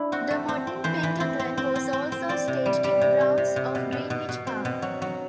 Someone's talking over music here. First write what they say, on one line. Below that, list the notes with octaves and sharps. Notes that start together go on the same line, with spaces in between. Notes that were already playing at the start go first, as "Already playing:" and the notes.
The modern pentathlon was also staged in the grounds of Greenwich Park.
Already playing: D4 E4
C4 F#4
A3
C4
C4
E3 C5
E3
C4
C4
C4
C4
C4
C4
C4 D5
C3
G3
G3
C3
C4
C3
C3
B2
B2
B2
B2
C4
B2
F#3
F#3